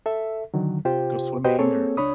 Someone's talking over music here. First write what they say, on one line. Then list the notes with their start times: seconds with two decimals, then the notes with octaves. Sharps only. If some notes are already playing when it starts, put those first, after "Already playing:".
go swimming, or
0.06 A4 E5
0.54 D3 D#3 F#3
0.85 C3 F4 G4 C5 G5
1.45 F#4 G4 B4 C5 D#5 G5
1.59 A#3 C4 G#4 A4 C#5
1.97 C#2 D4 C#5 B5 D#6